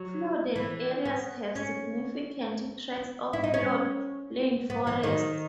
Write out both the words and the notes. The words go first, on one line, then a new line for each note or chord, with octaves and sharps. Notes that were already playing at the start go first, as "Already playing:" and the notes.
Flooded areas have significant tracts of floodplain forest.
Already playing: F#3
E3
B3
C#4
E4
D#4
C#4
B3
E3
D#3